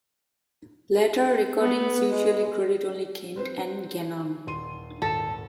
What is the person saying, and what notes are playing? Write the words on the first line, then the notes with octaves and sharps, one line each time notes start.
Later recordings usually credit only Kent and Gannon.
B3
G#3
C4 B4 C5
D#1 C6 D#7
D#1 G#1 A4 E7